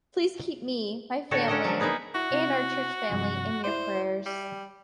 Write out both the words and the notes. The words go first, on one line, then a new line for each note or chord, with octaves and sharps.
Please keep me, my family and our church family in your prayers.
A2 D3 A3 F#4 A4 C#5
C#4 D4 A4 A#4 D#5
D3 F3 F#3
A#3 B3 D#4 G#4 B4
E4 F#4
C3 C4 E4
G2 C3 F3
E4 C5 D5
G3